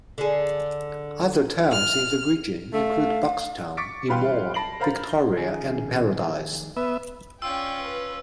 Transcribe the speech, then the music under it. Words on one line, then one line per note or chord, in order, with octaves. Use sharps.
Other towns in the region include Buxton, Enmore, Victoria and Paradise.
D3 G#4
F6
A3 F5
C#6 D6 A6 B6 C#7 D7
E3 G3 B4 F5 G5 C6
A5 B5 A#6 C7 D7 F#7
A#4 C5 F5 A#5 B5 A6
F2 D#3 C#4 G#4
B3 B4 E5
C#4 F4 D5 G5 E6
B4